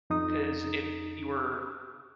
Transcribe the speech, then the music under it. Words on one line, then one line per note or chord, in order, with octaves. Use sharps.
'Cause if you were
F2 D#4 D#6